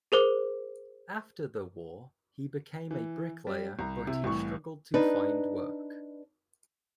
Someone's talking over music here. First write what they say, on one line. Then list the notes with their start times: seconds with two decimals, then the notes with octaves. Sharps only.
After the war he became a bricklayer but he struggled to find work.
0.12 G#4 A#4 C5 D6
2.91 E3
3.47 G3
3.79 C2 A#5
4.07 C3 E4
4.24 C2 A2 E3 C#6
4.94 D4 D#4 B4